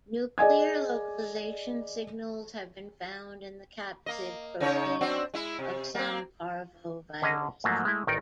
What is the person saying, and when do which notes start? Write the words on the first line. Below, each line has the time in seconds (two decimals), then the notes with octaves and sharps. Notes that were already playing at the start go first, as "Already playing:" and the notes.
Nuclear localization signals have been found in the capsid proteins of some parvoviruses.
0.38 G#4 D5 D#5 G#5 G#6
4.06 A#3 D#5
4.60 C#3 D#4 C#5
5.01 C4 D4 F#4
5.34 G#3 E4
5.59 C3
5.95 A#3 C4
7.22 D3 C#4 G#4 D#5 A#5
7.64 G#2 F3 F#3 A3 A#3
7.85 G#3 A3 E4
8.07 A1 D#3 D#4 A#4 D5 G5